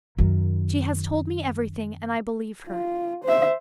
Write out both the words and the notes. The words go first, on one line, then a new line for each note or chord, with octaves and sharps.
She has told me everything and I believe her.
F#2 D#3
F4
C5 E5